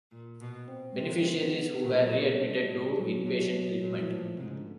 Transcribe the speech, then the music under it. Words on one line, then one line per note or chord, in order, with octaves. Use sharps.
Beneficiaries who were readmitted to inpatient treatment.
A#2
B2
C4
C3
B3
A#2 A#3
A3
F#3
G3
A2
A#2 F#3
B2
A#2
E3
A2 F3
G#2 C3
C#3
D3